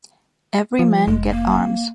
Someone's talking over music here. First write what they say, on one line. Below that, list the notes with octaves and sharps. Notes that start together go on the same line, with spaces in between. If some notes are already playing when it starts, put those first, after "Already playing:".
Every man get arms.
F3
F1 G#3
A#3